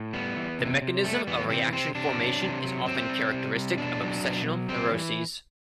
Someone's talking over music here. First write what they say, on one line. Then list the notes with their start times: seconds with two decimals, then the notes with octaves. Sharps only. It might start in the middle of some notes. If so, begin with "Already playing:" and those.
The mechanism of reaction formation is often characteristic of obsessional neuroses.
Already playing: A2
0.13 G3 B3
0.37 E3
0.59 C3
0.82 C3
1.04 G3 A3
1.27 E3 B3
1.50 C3 C4
1.73 C3 C4
1.95 C3 D4
2.18 F#3
2.41 C3
2.64 F#3
2.86 C3 C4
3.09 G3
3.32 C3
3.55 G3
3.77 B2 D4
4.00 F#3
4.23 B2
4.46 F#3
4.69 G3 C4
4.91 E3